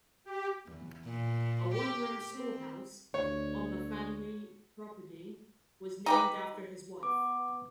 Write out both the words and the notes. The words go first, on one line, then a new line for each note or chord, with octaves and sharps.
A one-room schoolhouse on the family property was named for his wife.
G4
E2
A#2
G4
C4
D2 C#5
D#4 G4 B4
B3 D6